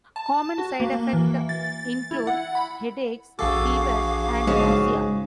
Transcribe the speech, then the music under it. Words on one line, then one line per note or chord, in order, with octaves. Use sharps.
Common side effects include headaches, fever, and nausea.
A5
F#4
A#3
E3
A6
E4
F#5
B5
A#1 F#4 G#4 A4 F5 D6
G#2 C#3 C#4